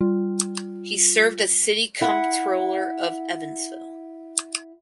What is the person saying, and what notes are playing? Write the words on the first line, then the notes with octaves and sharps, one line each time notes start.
He served as city comptroller of Evansville.
G3 F4
E4 F#5